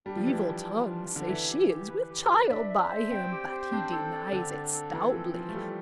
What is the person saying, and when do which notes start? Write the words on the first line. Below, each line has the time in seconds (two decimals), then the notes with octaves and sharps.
Evil tongues say she is with child by him, but he denies it stoutly.
0.06 G3 D4
0.16 F3
0.26 E3 D4
0.37 F3
0.47 D4
0.67 F4
0.87 D4
1.08 D4
1.16 D3
1.28 E3 E5
1.48 G4
1.68 G4
1.89 B4
2.09 G4
2.29 B4
2.50 D4 E5
2.70 E5
2.90 C5
3.11 C4 G5
3.31 G4
3.52 C5
3.72 C4 D4
3.92 A4
4.12 D5
4.32 D3 D4
4.53 D4
4.73 A4
4.93 E3 C4
5.14 F3 C4
5.34 F3 F4
5.49 A3
5.54 G3 A4